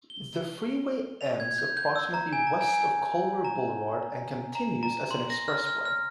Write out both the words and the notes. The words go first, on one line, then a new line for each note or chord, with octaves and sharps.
The freeway ends approximately west of Culver Boulevard, and continues as an expressway.
G7
F7
G#6
G#6
G6
G6
E6
A#5
G#5
A#5
G#5
G#5
A#5
A#5
A#5
C6
A#6
F6
F6
F6